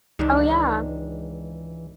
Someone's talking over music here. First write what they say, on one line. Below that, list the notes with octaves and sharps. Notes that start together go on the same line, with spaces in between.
Oh, yeah.
C#2 G#2 D#3 E3 D4